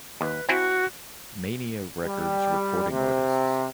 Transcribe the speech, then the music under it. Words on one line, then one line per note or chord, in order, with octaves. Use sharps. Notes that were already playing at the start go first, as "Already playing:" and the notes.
Mania Records recording artists.
D#2 B4
C4 E4 F#4 G#5
G3
C3